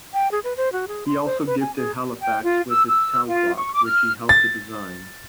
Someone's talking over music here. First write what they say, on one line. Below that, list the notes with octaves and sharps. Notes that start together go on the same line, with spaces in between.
He also gifted Halifax with its Town Clock, which he helped to design.
G5
G#4
B4
C5
F#4
G#4
C6
C5
B4
G#5
G#4
G5
F4
E6
E6
F4
C#6
D6
F6
A6